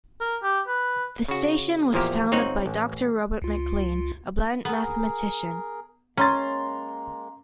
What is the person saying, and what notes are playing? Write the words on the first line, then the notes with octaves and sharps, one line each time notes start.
The station was founded by Doctor Robert McLean, a blind mathematician.
A#4
G4
B4
C#3 F#4
E2 A#2 F3 A#3 G4
G1 C4 D#4 C#5 F#5
A1
C#2 F4
B3 G#4 A#4
G#3 A#3 C#4 A#5 C6 A6